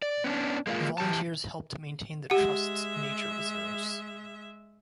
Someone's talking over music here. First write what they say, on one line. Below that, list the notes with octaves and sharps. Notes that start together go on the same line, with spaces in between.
Volunteers help to maintain the Trust's nature reserves.
D5
B3 C#4 D4
G#3 A#3 D#4 F4
E3 G4 A5
G#3 G4 E5 F#5